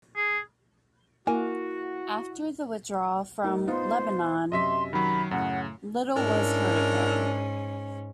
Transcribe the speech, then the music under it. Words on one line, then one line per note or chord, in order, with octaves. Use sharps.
After the withdrawal from Lebanon little was heard of him.
G#4
A#3 E4 F#4 G#5
A3 D#4 A#4
B3 D#4 F4 C5
F#2 C3 D#5 E5 C6 B6
D#3 F#3 B5
F#2 A2 C#3 F#5
G#2 C#4 D4 E4 A#4